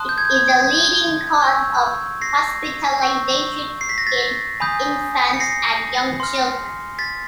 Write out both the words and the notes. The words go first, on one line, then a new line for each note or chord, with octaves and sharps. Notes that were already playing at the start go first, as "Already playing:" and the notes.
It is a leading cause of hospitalization in infants and young children.
Already playing: A5 C6 D#6 F#6
G6
G#6
G6
G#6
C#6 E6 G6
A#6 C7
C#6 E6 G6
C7
B6
A#6
A6 B6
G#5 B5 D#6 G6
C#7
A#6 C7
C6 F6
A6 B6